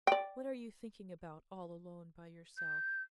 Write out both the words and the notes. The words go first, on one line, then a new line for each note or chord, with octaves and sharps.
What are you thinking about all alone by yourself?
D5 G5
G6